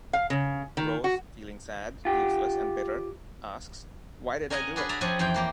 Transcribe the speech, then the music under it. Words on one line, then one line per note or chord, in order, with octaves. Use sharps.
Rose, feeling sad, useless and bitter, asks Why did I do it?
F5
C#3
D#3
F#4
F4 G4
C#4 A#4 D#5 F#5 G#5
D4 F#4 G#4 B4
D5 E5 A#5 B5
F3 C#4 G4 G#4 F#5 G#5
F2 E3 C5 G5
E3 A#3 G4